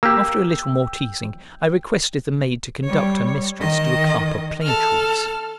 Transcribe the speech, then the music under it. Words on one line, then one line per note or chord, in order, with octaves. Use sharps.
After a little more teasing, I requested the maid to conduct her mistress to a clump of plane trees.
A#3 G4 G5 E6
G3 C#5
D#3 D#5
A4 F6